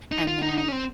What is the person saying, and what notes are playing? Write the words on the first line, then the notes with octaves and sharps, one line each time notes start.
and then,
D#4
F4
D#4
D#4
C#4
C4